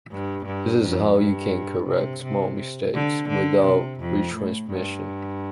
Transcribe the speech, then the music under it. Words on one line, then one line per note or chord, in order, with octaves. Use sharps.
That is how you can correct small mistakes, without retransmission.
G2
G2
F2
G2
C3
C3
D3
D3
C3
F2
A2
G2